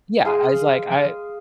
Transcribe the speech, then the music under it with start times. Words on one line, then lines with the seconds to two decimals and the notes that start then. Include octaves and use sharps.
Yeah as, like, I
0.25 G#3 G#4 F5